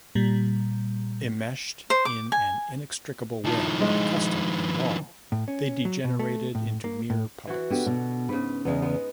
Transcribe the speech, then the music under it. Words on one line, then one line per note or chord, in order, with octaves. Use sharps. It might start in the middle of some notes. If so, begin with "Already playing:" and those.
Enmeshed in an inextricable web of custom and law, they degenerated into mere puppets.
A#2 G3
C5
D6
G#5
D#3 F3 A5
G#3
A2
C#4
F#3
B2
A3
A2
A#3
A2
E3 F#4
D3 B3 G4
B2
G#2 C#3 B4
E2 A2 C#3 G#3 B3
G#3 B3